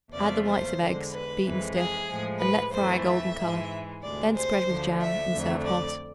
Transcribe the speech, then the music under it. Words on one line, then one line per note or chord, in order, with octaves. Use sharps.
Add the whites of eggs, beaten stiff and let fry a golden color; then spread with jam and serve hot.
E2 C3 F3 A3 D5
C5
E2 D3 G#3
B4
F2 E3 G#3
G#4
A2 F3 G#3
B4
F2 E3 A3 C5
E5
G#2 E3 G#3
D2 C3 G#3 D5
C5
D2 D3 F3 A3
E5
F2 D3 A3
D5